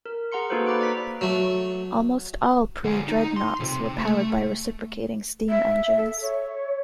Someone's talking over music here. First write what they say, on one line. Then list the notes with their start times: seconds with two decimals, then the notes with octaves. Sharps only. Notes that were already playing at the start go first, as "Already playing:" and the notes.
Almost all pre-dreadnoughts were powered by reciprocating steam engines.
0.06 A#4
0.32 G#4 F#5 A#5 C6 C#7
0.50 A#3 D#4 F#4 A4 B4 C5
0.66 A#5 B5 D6 F#6 D7
0.79 D5 A#5 D6 B6
1.21 F#3 A3
2.84 D3 G#3
3.09 D#4
3.36 C6
3.60 C#2 C3
3.98 A3
5.49 E5
5.97 A4
6.21 C#5